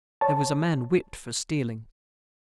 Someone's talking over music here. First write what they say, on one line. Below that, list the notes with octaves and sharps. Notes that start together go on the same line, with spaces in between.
Their was a man Whiped for Stealing.
C#5 A5